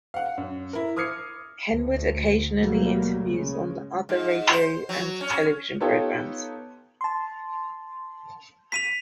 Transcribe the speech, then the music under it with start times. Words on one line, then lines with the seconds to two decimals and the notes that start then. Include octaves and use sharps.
Henwood occasionally interviews on other radio and television programs.
0.14 F5 F#5
0.38 F#2
0.73 E4 A#4
0.96 D6 D#6 F6 G#6 C7 C#7
1.72 D2
2.56 B2 F#3 G3 A3 A#3
3.24 C#3 G#3
4.09 G#2
4.52 C5
4.89 F#3
5.21 C#4
5.81 B3 D#4 F4 G4 A4 C#5
7.01 A5 C6
8.72 B6 D#7 F7